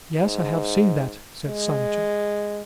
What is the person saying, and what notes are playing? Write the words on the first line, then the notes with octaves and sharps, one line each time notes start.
"Yes, I have seen that," said Sancho.
G#2
G#3